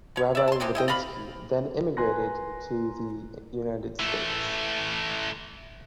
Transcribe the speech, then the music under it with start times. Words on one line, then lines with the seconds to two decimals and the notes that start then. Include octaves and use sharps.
Rabbi Lubinsky then emigrated to the United States.
0.16 D3 C#5
0.35 D5 E5
0.48 A5 C6
0.60 D3 G#3 C4 G4
0.75 E4 D#5 G5
0.88 D5 D#5 F5 B5
1.97 A#4 B4 G#5 C6 F#6 A#6
3.99 E3 A3